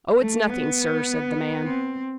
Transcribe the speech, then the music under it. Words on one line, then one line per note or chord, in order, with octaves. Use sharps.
"Oh, it's nothing, sir," said the man.
A3
B3
C4